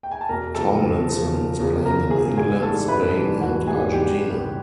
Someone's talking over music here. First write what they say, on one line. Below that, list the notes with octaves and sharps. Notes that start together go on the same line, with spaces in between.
Tomlinson is playing in England, Spain and Argentina.
G5
G#5
A5
E1 A#4 A#5
E2 C#3 F3 A4 A5
E1
E2 C#3 F3
E1
E2 C#3 F3
E1 A#4 A#5
E2 C#3 F3 G#4 G#5
G#1 G#4 G#5
G#2 E3 G3 A4 A5
G#1 B4 B5
G#2 E3 G3
G#1 F#4 F#5
G#2 E3 G3 G#4 G#5
G4 G5